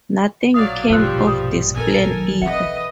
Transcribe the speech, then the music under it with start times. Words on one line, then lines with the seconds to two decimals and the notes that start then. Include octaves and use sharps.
Nothing came of this plan either.
0.54 A#1 B2 F#3 D5 F5 D#6 A6
0.90 G2 C3 F3 G3 F5 E6 F#6
1.27 D#6
1.74 A#2 C#4 A4 A#4 G#5
2.05 D#3 F#3
2.42 E3 C4 B4 D#5 E5 F#5 C#7